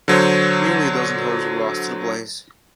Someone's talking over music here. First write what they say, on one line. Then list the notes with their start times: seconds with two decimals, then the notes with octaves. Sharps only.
Nearly a dozen homes were lost to the blaze.
0.08 D3 F#3 C5 C#5